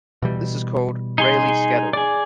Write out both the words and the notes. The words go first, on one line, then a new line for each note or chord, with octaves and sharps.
This is called Rayleigh scattering.
B2 E3 G3
D#4 G#4 C6
G#4 D5